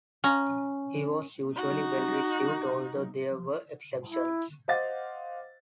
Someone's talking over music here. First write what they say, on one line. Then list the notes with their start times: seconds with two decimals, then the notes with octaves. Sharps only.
He was usually well-received although there were exceptions.
0.24 C#4 A#5
1.56 D#4 F#4
4.08 E4
4.68 C5 D#5 F5 F#5 D6 A6